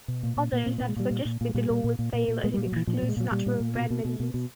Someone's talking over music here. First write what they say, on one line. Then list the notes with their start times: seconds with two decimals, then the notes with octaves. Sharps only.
Others have suggested the law will fail as it excludes natural remedies.
0.08 B2
0.23 A#2
0.37 A#2
0.52 A#2
0.66 A#2 C4
0.78 B3
0.81 A#2
0.88 G#3
0.96 A#2 G3
1.11 A#2
1.25 A#2
1.41 A#2
1.49 G#3
1.55 A#2 G3
1.70 A#2
1.84 A#2
1.99 A#2
2.13 A#2
2.28 A#2
2.44 A#2 G#3
2.54 G3
2.57 A#2
2.66 F#3
2.72 A#2 E3
2.87 A#2 F3
2.98 F#3
3.03 A#2
3.09 G#3
3.17 A#2 F#3
3.31 A#2 G3
3.46 A#2
3.60 A#2
3.75 B2
3.90 B2
4.05 B2
4.20 B2
4.34 B2